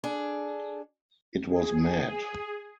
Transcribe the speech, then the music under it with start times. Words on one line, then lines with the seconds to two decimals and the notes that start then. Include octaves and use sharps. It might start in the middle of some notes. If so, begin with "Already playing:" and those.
It was mad.
0.04 D4 G#4 A4
1.48 G#4